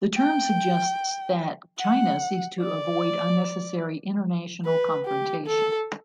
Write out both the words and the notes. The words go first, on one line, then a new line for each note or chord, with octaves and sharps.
The term suggests that China seeks to avoid unnecessary international confrontation.
G5
F#5
D5
B4
G4
A4